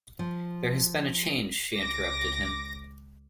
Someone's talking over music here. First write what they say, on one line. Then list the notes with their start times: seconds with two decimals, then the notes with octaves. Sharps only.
There has been a change, she interrupted him.
0.19 F3
1.77 C#2 D6 A#6